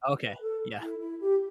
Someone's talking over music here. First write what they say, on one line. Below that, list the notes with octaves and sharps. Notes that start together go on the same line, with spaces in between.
Okay, yeah.
B4
A4
E4
E4
G4